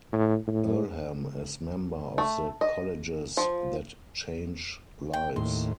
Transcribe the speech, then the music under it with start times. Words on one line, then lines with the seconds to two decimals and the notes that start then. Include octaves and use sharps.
Earlham is member of the Colleges That Change Lives.
0.12 A2
0.47 A2
2.18 A3
2.61 D#5
3.37 F3
5.13 G5
5.36 D#2 A2 C6